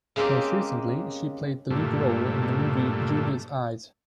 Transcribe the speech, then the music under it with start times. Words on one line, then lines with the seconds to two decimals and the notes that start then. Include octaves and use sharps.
Most recently she played the lead role in the movie "Julia's Eyes".
0.16 C#3 G#3 A#3 C4 G4
1.70 G2 A#2 A3